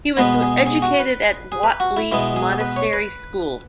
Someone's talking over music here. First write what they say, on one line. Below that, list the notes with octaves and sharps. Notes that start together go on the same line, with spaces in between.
He was educated at Wat Liep Monastery Sch.
B2 G#3 B3 B4
G#4
G#4
F#4
B4
G#4
B4
F#4
E4
B2 G#3 B3 E4
G#4
B4
C#5
B4